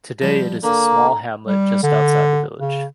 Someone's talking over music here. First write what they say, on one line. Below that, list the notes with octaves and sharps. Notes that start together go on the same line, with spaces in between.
Today it is a small hamlet just outside the village.
F3 G3
D3 A#3 A#5
G3
D3
C#3